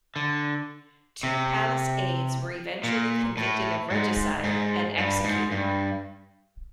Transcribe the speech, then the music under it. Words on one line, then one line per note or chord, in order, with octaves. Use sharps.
Two palace aides were eventually convicted of regicide and executed.
D3
C3
A#2
A2
G#2
G#2
G2
G#2
G2